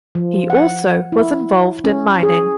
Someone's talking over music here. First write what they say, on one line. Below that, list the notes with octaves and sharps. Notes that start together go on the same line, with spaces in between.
He also was involved in mining.
F3
F#5
E4
C#4
G#4